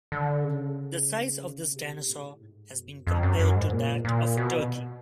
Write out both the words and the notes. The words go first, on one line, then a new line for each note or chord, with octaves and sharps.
The size of this dinosaur has been compared to that of a turkey.
D3
C#3
C3
A2
G#2
F#2
F2
F#2
F#2
G#2
A#2
A#2
B2